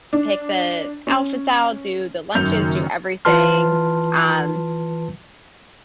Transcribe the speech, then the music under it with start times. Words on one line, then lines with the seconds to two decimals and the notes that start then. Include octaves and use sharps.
pick the outfits out, do the lunches, do everything, um,
0.13 D4
1.07 C#4
2.35 F#1 F#2 D#3 G6 F7
3.25 E3 F4 B4 A5 C6 F6